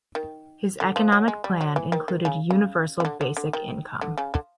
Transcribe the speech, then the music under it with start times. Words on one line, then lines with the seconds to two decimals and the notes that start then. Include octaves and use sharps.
His economic plan included universal basic income.
0.15 D#3
0.80 D3
0.96 F3
1.12 F#3
1.28 G#3
1.44 G3
1.61 F#3
1.76 E3
1.92 D#3
2.08 D#3
2.25 C#3
2.51 C#3
3.00 C#3
3.05 D3
3.21 D3
3.37 D3
3.53 D#3
4.01 D3
4.18 C#3
4.34 D3